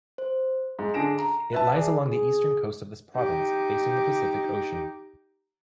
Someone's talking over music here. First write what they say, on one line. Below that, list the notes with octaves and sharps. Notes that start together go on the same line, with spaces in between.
It lies along the eastern coast of this province, facing the Pacific Ocean.
C5
G#2
D3 D4 G#4 A#6 D7 E7
A#5
B4 E5 A5
G#4 D5
G#4
D#4 G4